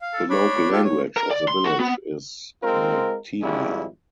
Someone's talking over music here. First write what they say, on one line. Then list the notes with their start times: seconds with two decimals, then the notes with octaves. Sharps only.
The local language of the village is Maithili.
0.01 F5
0.13 A4
0.30 D4 C#5 B5
0.72 F4 G4 A4
0.84 C#5
1.16 A#4
1.31 D5
1.48 C6
1.64 F#4
1.80 B3
2.63 G#3 C4 F4 A#4
3.42 G#1 F2 G3 E4 G#4